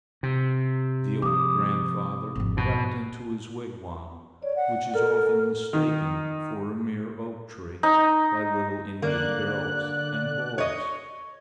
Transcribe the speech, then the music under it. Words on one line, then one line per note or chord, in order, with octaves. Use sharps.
The old grandfather crept into his wigwam, which is often mistaken for a mere oak tree by little Indian girls and boys.
C3
F3 D6 D#6
G#1 F2
B2
C#5 D5
F#5
A4 A#4
D#3
D#4
D3 A#3 D5 F#6
C#5 D#5